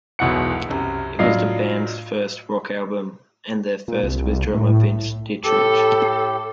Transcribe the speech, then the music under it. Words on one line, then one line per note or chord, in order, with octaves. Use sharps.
It was the band's first rock album, and their first with drummer Vince Ditrich.
E1 B1 B2 E4 F#5 C#7
C2 F#2
A2 F#3 D4 F4 D#5 C7
A#2
C2
A2
A2 G4 A4